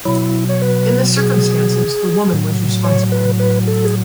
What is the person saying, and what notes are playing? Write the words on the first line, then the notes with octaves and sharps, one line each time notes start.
In the circumstances the woman was responsible.
B2 F#3 E4
C#5
B4
G#4
F#3
A2
C#5
B4
B4
A4
G#4